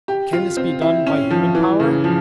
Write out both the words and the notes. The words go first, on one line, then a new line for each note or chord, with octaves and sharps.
Can this be done by human power?
G4
F4
C4
E4
C#4
F3
E3
C#3
F3